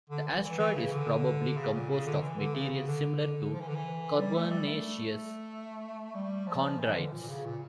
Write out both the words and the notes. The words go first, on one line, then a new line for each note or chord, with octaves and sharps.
The asteroid is probably composed of material similar to carbonaceous chondrites.
D3
E3
E3
E3
C#3
D3
C#3
A#2
C#3
D3
E3
D3
C#3
C#3
D3
D3
F3
E3
D3
E3
G3
A3
G3
A3
G3
F3
E3
D3
A#2
A#2
C#3
A#2